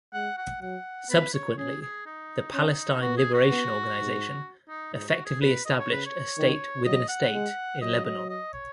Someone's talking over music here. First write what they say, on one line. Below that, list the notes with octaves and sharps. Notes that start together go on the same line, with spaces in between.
Subsequently, the Palestine Liberation Organization effectively established "a state within a state" in Lebanon.
G#3 F#5
F#5
F#3 F#5
B3 B4
C#5
C#4 G#4
G#4
D#4
C#4
B3 F#4
G#4
F#4
B3
G#2
D#4
G#2 D#4
F#4
G#4
B2 B4
D#5
C#5
C#3 B4
C#5
D#3
F#3 D#5
F#5
G#3
F#3 D#5
D#5
D#5
C#5